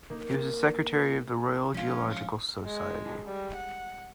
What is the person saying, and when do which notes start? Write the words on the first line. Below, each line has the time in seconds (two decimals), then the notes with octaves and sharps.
He was a secretary of the Royal Geological Society.
0.10 A#3 D#4
1.74 F3 G#3 C#4 D4 F4
2.66 G#3
3.27 G3
3.56 F#5